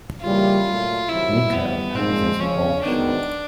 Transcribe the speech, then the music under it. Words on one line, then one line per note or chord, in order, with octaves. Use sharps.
Mica opposes abortion.
C#3 E3 G3 A#3 F4
A#2 F#3 A3
C3 D#3 F#3 E4
F2 C3 E3 G3 B3
A#2 F3 G#3 C4
F2 C#3 F3 C#4
G#2 D#3 F#3 B3 D4